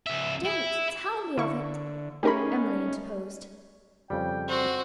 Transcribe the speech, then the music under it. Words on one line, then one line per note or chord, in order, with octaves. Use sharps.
"Don't tell me of it!" Emily interposed.
C#2 E5
E4
D3 E4 C#6
A3 C#4 D#4 G4 G#4 A#4 B5
F2 C#3 G3 G5
C4 F#4